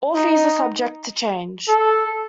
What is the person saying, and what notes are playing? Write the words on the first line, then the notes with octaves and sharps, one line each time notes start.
All fees are subject to change.
D#4
A4